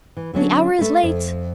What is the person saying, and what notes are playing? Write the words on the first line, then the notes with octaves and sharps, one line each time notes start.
"The hour is late!"
E3
D3 F#3 C#4 D4
A3 B4
F2